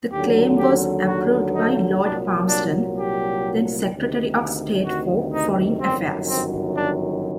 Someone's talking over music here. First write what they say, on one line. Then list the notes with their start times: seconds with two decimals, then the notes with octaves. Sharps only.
The claim was approved by Lord Palmerston, then Secretary of State for Foreign Affairs.
0.12 D#2 D3 F#3 G4
0.59 G4
1.07 F#4
1.54 D#4
2.02 C2 A#2 F#3 D4
2.49 D4
2.97 G4
3.91 D2 C3 D#3
4.86 F#4
5.34 D#4
5.81 G1 F#2 D#3 F#3 C4
6.29 C4
6.76 D4